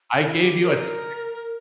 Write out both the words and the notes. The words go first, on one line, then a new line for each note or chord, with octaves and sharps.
I gave you a test
E4
G4
A#4